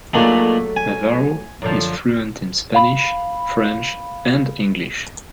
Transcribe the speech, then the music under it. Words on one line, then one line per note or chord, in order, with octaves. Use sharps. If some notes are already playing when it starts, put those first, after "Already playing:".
Navarro is fluent in Spanish, French and English.
A#2 F#3 A3 D4 D#4 G#4
G#5
F#2 D3 F3
F5 B5